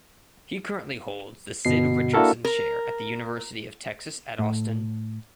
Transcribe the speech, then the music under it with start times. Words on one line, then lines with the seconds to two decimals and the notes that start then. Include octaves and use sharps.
He currently holds the Sid Richardson Chair at the University of Texas at Austin.
1.65 G1 B2 C7
2.13 A#3 D4 E4 F#4 A4 A#4
2.45 A#4
4.39 A2